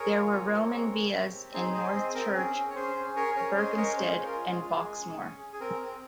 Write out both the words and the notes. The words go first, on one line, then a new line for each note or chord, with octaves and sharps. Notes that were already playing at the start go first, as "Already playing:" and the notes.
There were Roman villas in Northchurch, Berkhamsted and Boxmoor.
Already playing: G#4 A#4 C#5
F4
C4
C4
G#3
G#3
G4
C4
D#4 G#4 C5
G#4 C5 D#5
C4 C5 D#5
C4 A#4
C#4 G#4
C#4
C#5
C#4 G#4 C5
C#4
G#4 A#4 C#5
C#4 A#4 C#5
G#4 C5 D#5
G#3 A#4 C#5
C#4 G#4 C5
F4
A#4
G#3
G#4
G#3
G#4
C#4
G#4
G#4
G#4
C4 A#4
C4